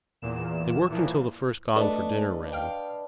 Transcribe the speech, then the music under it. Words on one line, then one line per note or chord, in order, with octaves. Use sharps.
They worked until the first gong for dinner rang.
E2 A#2 E7
A#2 E3 F3
A3 D4 B4 D#5
F5 G5